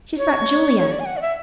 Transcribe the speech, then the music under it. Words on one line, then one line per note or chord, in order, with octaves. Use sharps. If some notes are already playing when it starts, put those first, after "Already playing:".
She's brought Julia!
C#5
C#5
D5
G#5
F#5
D5
E5